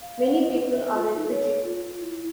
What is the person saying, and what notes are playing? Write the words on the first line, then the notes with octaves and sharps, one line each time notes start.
Many people are in Fiji.
F5
F#5
D#5
B4
E5
F4
D#4
C#5
F4
E4